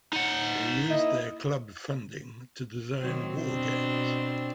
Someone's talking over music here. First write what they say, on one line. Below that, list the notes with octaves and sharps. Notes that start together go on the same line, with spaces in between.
They used their club funding to design war games.
D#4 F#5
A#3 E4 D#5
D#3 F#3 C4
B2 C4 D4